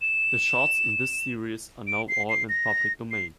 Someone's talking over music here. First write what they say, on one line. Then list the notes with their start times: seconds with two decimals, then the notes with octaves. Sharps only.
The shorts in this series are now all in the public domain.
0.01 E7
1.87 D7
2.08 C7
2.29 C7
2.49 A#6
3.11 C7